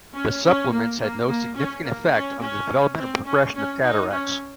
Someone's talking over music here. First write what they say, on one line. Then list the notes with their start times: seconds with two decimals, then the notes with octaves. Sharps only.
The supplements had no significant effect on the development or progression of cataracts.
0.15 C#4
0.45 C#4
0.72 A#3
1.00 A#3
1.28 A#3
1.56 C#4
1.84 A#3
2.13 C#4
2.41 C#4
2.98 C4
3.25 C#4
3.54 C#4
3.82 D#4
4.10 C#4